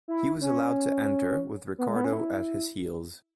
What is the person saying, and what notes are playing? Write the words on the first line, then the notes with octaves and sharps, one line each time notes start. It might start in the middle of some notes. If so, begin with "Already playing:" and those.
He was allowed to enter, with Ricardo at his heels.
E4
C#4
B3
G#3
B3
C#4
E4